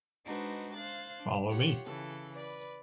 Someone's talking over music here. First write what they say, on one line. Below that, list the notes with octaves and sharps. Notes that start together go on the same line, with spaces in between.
Follow me.
G#3 D4 D#4 F#4 B4 C5
C5 F5 F#6 A6
D4
F4 G4 C#5 F#5
C#3 E3 A4
B4 D5